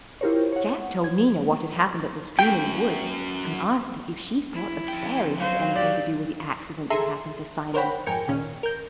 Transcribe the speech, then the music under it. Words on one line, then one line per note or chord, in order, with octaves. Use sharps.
Jack told Nina what had happened at the stream in the woods and asked her if she thought the Fairy had anything to do with the accident that happened to Simon.
E4 F4 G4 A#4 C5 C#5
C#5 F#5
G#6
F#2 G5
E4
F2 G5
F#3 C5 F5
G4 D5
G#4 A4 E5 A#5 C6
A#4 C5 C#5 F#5 G5 B5
F2 G#2 A#4 G5 G#5 C#7
C#2 A#2 D#3 C#4
A#4 G6